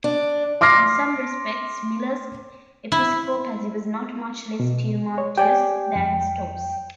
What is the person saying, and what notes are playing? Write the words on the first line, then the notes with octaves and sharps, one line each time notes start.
In some respects, Miller's episcopacy was not much less tumultuous than Stough's.
D4
C6 D6 F6 A#6 C7
E4
B2
C#5
G4 D5 G5 G#5
F2